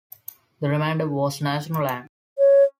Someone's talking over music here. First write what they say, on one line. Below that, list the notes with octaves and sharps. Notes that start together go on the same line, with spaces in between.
The remainder was national land.
C#5